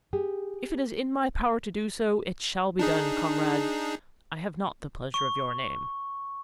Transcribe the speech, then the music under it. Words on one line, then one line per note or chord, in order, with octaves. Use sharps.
"If it is in my power to do so, it shall be done, Comrade--I have not the pleasure of your name."
G4 G#4
D4 D#4 G#4
C#6